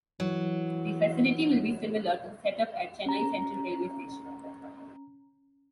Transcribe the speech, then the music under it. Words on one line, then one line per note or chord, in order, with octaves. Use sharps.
The facility will be similar to the setup at Chennai Central railway station.
E3 F#3
C#4 A#5